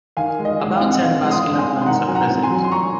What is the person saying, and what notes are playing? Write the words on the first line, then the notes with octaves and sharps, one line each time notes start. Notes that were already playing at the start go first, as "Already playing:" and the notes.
About ten vascular plants are present.
D#3 F5 G#5
G#3
D#5
G#3
F5
C4
F#5
C4 F5
G#3
C6 D#6
C4
G#5 C6
G#2
C6
D#3 F#5 A#5
F#3 G#5
F#5 A#5
C4
G#5 C6
F#3
C6
F#3 A#5 C#6